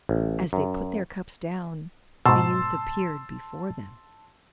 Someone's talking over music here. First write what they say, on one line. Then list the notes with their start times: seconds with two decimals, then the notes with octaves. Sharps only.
As they put their cups down, the youth appeared before them.
0.09 A1
0.53 F#2
2.26 G#2 B2 A5 C6 E6